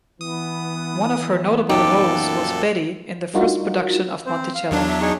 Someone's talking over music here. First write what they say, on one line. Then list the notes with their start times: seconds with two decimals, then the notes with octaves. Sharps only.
One of her notable roles was "Betty" in the first production of "Monticello".
0.21 E3 B3 D#6
1.69 F#2 A#2 D#4 G4 A4
3.34 G3 D4 D#4 F4 F#4 A#4
4.26 C4 C5
4.55 F5
4.71 E2 F#3 D4
4.88 E5
5.01 D#4 G#4 C#6